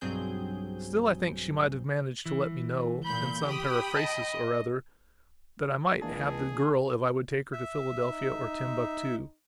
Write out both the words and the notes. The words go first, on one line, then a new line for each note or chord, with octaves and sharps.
Still, I think she might have managed to let me know, in some periphrasis or other, that I might have the girl if I would take her to Philadelphia or Timbuctoo.
B1 G2 F#3 C4 G#4 G6
E3
A#2 B5 G6
G4 G5 B5 D#6
D#5 A5
C#2 E3 A#3 D4 G#4 A5
E5
D#4